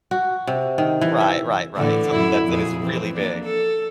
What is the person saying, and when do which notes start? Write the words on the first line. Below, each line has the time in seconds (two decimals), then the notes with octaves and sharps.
Right, right, right, something that it is really big.
0.11 F#4
0.47 C3
0.78 D#3
1.01 E3
1.21 E5
1.77 A2 D3 E3
2.10 F#2 E4
2.46 F2 A#2 G#4
2.81 E3 C4
3.14 A#3 D4
3.44 A4